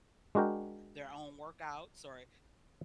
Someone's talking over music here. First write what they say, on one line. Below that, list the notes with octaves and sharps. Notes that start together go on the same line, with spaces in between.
their own workouts, or
G#3 D4 F#4 A#4 G5